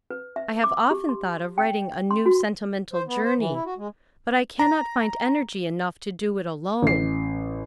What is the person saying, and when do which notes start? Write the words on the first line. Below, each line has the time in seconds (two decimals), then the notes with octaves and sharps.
I have often thought of writing a 'New Sentimental Journey.' But I cannot find energy enough to do it alone.
0.11 B4
0.36 E5
0.64 D6
0.91 G4
1.09 C6
1.58 G5
2.11 C6
2.26 F#4
2.93 C5
3.07 B3
3.24 C5
3.38 E3
3.53 E4
3.66 F#4
3.77 G#3
4.59 A#5
6.82 A1 C7